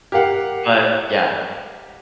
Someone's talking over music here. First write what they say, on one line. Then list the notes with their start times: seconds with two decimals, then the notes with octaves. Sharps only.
but yeah.
0.12 G4 A#4 F5 F#5